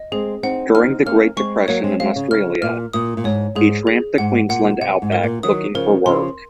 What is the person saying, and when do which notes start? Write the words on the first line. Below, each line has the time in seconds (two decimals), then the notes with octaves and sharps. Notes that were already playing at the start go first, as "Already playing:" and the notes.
During the Great Depression in Australia he tramped the Queensland outback looking for work.
Already playing: D#5
0.12 G#3 C4 G#4
0.43 C4 D#4 F#5
0.74 C4 D#4 F6
1.06 A#3 C#4 F6
1.37 G#3 C4 C#6
1.68 F#3 A#3 C#5
1.84 G#3 C4
2.00 G#3 C4 F5
2.16 C#3
2.31 C#3 F6
2.62 A#2 F6
2.93 A#2 D#6
3.17 A#2
3.24 G#2 C#5
3.55 G#2 G#4
3.87 G#4
4.18 G#2 F#5
4.49 A#2 F#5
4.81 C3 F#5
5.02 G#2
5.12 A#4
5.23 A#2
5.43 D#3 F#3 D#6
5.75 C#3 F3 A#4
6.06 C#3 F3 C6